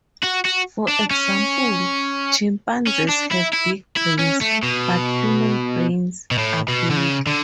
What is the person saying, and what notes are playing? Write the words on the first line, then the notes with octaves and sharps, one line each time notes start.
For example, chimpanzees have big brains, but human brains are bigger.
F#4
F#4
D4
C#4
C#4
D4
E4
E4
E4
C#4
A3
B2
B2
A2
B2
D3
C#3
D3